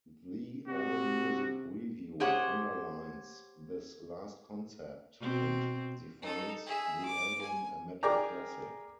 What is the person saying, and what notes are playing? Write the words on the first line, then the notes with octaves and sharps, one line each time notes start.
The Allmusic review underlines this last concept and defines the album a "metal classic".
C3 F#4
G4 G#4 C5 C#5 F#5
B2 C4
D#4 A4
G#4 E5
D6
G#5
G#4 A#4 D5 G5 A#5